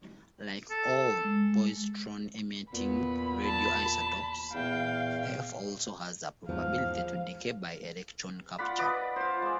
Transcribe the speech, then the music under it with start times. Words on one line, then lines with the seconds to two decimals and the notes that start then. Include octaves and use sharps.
Like all positron-emitting radioisotopes, F also has a probability to decay by electron capture.
0.70 A4
1.24 G#3
2.73 E2 A#2 B3 B5
3.46 A5
4.54 E2 A#2 F5 G5
6.49 E2 G#2 F3 F5
8.58 F4 D5 F#5 B5
8.78 B4 D5 D#5 F#5
9.16 F4 C5
9.42 G#3 D5